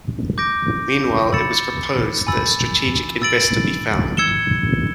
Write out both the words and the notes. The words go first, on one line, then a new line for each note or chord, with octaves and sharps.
Meanwhile, it was proposed that a strategic investor be found.
D6 G6 A#6 D7
B5 E6 A6 C#7 E7
G#5 B5 E6 A6
E6 A6 D7 F#7
E6 G#6 C#7 E7 G7